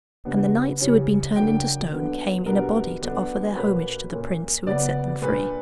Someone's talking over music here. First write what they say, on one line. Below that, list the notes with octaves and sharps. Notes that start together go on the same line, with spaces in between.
And the knights who had been turned into stone came in a body to offer their homage to the prince who had set them free.
C#3 G3 B3 D4
C#3 E3 G3 C#4
C#3 F#3 A#3 D4 G5
D3 F#3 B3 D4
B2 G3 B3 D4 A#4
D3 F#3 B3 D4
B2 A#3 C#4 B4
A#2 A#3 C#4
C#3 F#3 B3 D5
A#2 A#3 D4 B4